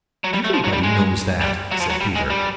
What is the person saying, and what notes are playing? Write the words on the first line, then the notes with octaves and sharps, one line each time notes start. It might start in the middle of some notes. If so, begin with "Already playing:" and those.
"Everybody knows that!" said Peter.
F#3
G3
A3
F3
F#3
G3
G#3
G3
F#3
F3
F#3
G3
G#3
G3